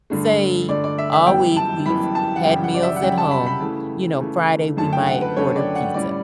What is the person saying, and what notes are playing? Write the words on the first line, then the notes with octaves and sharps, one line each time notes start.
say, all week we've had meals at home, you know, Friday we might order pizza.
G2 D3 A3
G2 D3 A3 D5
D5
E5
E5
F#2 E3 G3 B3 G5
A5
F#2 E3 G3 B3 B5
A5
F#5
F#2 C#3 G3 C#4 G5
F#5
D5
E5
F#5
F#2 C#3 G3 C#4 G5
A5
B5
B5
C#3 E3 A3
C#3 E3 A3
F#2 D3 A3 C#4 A5
G5
F#5
B4
F#2 D3 A3 C#4 C#5
D5
F#5
A2 G3 C#4 D5